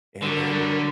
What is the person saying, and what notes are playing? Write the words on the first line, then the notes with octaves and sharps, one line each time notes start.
and and,
D3 F#3 G3 F#4 A#4